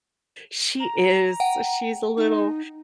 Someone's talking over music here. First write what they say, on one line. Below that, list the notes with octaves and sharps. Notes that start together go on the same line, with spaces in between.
she is she's a little
A#5
F#5 G5
D#4